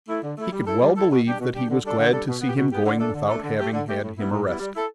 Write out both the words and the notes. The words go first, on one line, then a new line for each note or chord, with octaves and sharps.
He could well believe that he was glad to see him going without having had him arrested.
A3 E4
D3
A3 E4
G3
E4 A4
G3
E4 A4
B2
G3 D4 G4
B2
G3 D4 G4
D3
G3 D4 A4
D3
G3 D4 A4
B2
B3 G4
B2
B3 G4
D3
A3 D4 A4
D3
A3 D4 A4
D3
A3 G4
D3
A3 G4
A2
G3 B3 E4
A2
G3 B3 E4
G3
E4 A4